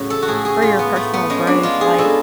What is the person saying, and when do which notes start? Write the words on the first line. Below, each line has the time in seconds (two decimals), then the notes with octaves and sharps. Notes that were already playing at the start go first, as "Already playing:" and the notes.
for your personal growth, like
Already playing: A2 C#3 F#3
0.10 A4
0.22 F#4
0.28 A2 G#4
0.45 G#4
0.62 A2 F4
0.79 B3
0.95 A2 A3
1.13 B3
1.30 G#3 C#4
1.47 D4
1.63 G#3 F4
1.81 G#4
1.98 B2 A4